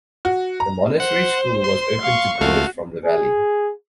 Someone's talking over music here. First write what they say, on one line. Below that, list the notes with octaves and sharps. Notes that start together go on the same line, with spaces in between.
The monastery school was open to boys from the valley.
F#4
A#5
C5 F#5
C6
F5 C#6
C#2 A3 F#4 F5
G#4